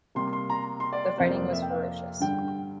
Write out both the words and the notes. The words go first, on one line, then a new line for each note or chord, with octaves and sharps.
The fighting was ferocious.
C3 G3 A#3 C6
C6
A#5
C6
D5
D5
F2 C3 F3 A#3 C5
D5
E5
G5
F5
G2 D3 G3 G5